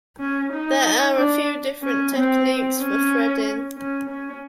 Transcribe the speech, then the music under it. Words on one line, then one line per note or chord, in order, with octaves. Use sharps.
There are a few different techniques for threading.
C#4
D#4
D4
C#4
C4
C#4
C#4
C#4